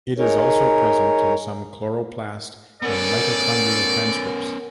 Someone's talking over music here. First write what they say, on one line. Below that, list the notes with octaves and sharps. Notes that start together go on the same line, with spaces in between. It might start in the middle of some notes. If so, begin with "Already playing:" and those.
It is also present in some chloroplast and mitochondrial transcripts.
D#4 G#4 A#4 C#5
B3 C#4 A4 A#4 D5 F#5